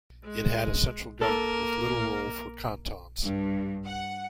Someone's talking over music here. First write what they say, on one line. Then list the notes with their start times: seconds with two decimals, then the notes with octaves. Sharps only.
It had a central government with little role for cantons.
0.24 G#3
1.21 A#3 A4 A#4
3.21 G2
3.85 F#5